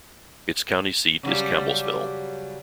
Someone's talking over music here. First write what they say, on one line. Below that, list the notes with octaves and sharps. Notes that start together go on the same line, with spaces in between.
Its county seat is Campbellsville.
C#3 F#3 G3